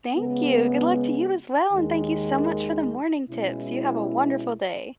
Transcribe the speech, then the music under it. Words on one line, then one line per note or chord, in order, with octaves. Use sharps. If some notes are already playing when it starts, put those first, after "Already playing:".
Thank you, good luck to you as well, and thank you so much for the morning tips you have a wonderful day.
C#3 G#3 B3
D#2 D#3 G#3
B2 G#3 C#4 E4